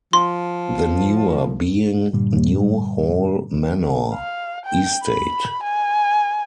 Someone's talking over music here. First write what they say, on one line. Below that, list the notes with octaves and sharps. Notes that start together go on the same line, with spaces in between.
The newer being New Hall Manor Estate.
F3 C6
G2 A#2 D3 G3
F5
G5
B5
G#5